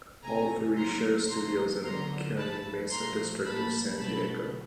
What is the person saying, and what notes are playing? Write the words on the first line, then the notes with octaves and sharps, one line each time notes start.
All three share studios in the Kearny Mesa district of San Diego.
C3 F3 A3 G#5 A#5
C#3 F#3 A#3 A#5 C6
A#2 F3 A3 A#5 C6
D3 F#3 B3 A#5 C6
A2 F3 A3 A5 B5
A#2 F3 A3 A#5 C6
A2 F3 A#3 A5 B5
B2 F#3 A3 A5 B5